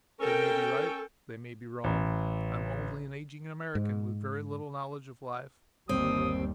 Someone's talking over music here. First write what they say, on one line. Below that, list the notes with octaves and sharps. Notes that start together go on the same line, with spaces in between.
They may be right, they may be wrong; I am only an ageing American with very little knowledge of life.
C#4 A4 A#4 G5
A1
G#2
G1 D#2 G3 C4 D#6